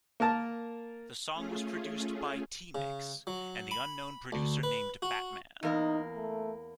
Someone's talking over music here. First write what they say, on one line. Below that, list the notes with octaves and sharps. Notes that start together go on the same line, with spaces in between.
The song was produced by T-Mix and the unknown producer named Batman.
A#3 A#4 A5
A3 C#4 F4 G#4
C#3
F#3
B5
D2
B4
F#4
E2 A#3 D#4 A#4
A3